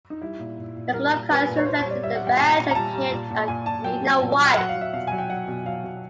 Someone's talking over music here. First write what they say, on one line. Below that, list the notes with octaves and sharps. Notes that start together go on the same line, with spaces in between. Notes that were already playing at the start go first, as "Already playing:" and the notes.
The club colours, reflected in their badge and kit, are green and white.
D#4
G3 E4
A#2
A#2
A#2
G3 A#4
A#2
G3 B4
A#2
C#5
A#2 C5
C#5
G3
D5
G3 E5
F#5
G3
G5
A#2 G#5
A#2
A#5
G3 A5
G3
A#2
A#2
A#2 G#5
A#2 A5
F#3 G5
F#3
A#2
F#3
G5
F#3 F#5
F5
F#3
E5
B2 F5
F#3 G#5
G5
F#3 F#5
B2
F#3 F5
B2